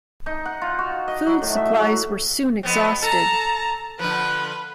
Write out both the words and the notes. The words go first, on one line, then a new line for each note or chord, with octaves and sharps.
Food supplies were soon exhausted.
D#4
F#5
F4
F#4
D#5
F#3
A2
E5
F#3
F2 B3 C4
A4 A5 A#5
D3 F3 B4